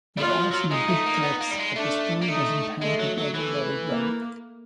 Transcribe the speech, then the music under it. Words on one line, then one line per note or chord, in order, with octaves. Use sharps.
There are some good gags, but the story doesn't hang together very well.
G3 F4
F#3
F3
F#3
G#3 D#4
A3
A#3
B3
A#3
G3
G#3
A3 D4
A#3
A3 D#4
G#3 A3
F#3
F#3
E3 A3
A#3